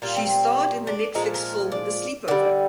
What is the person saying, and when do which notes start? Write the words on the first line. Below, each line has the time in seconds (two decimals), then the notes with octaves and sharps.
She starred in the Netflix film "The Sleepover".
0.02 A#2 G3 F4
0.16 C4
0.87 D4
1.15 A#2 F3 G#3 D#4
1.34 A#4
1.72 D5
2.28 D3 G3 D5